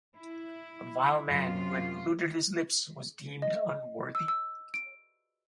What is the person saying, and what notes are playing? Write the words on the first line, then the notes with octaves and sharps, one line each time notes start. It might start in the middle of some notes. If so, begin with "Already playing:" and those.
A vile man who had polluted his lips was deemed unworthy.
E4
F#2 C3 F4 F5
D#5
E6
E6
D7